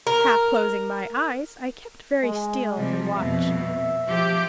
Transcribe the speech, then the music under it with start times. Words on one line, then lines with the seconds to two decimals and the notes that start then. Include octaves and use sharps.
Half closing my eyes, I kept very still and watched.
0.07 A#4
2.23 G#3
2.75 C3 F3 G3
3.17 F2 B2 E5
4.05 F3 G4